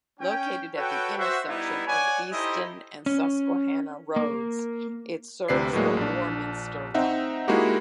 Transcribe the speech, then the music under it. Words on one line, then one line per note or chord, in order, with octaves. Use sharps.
Located at the intersection of Easton and Susquehanna Roads, it serves the Warminster Line.
C#4 G5
F#4 A4 B4 C#5 G5
F#4 C5 E5
G3 B3 D#4 E4
C#5 D5 F#5 G#5
D#4 E4 G4 A4 C5 D#5
C#4
A#3
D2 C3 B4 D5 C7
A2 F#3 G#3 A#3
A#1 D4
C4 D#4 E5 F#5
G#3 A#3 D#4 E4 F#4 G4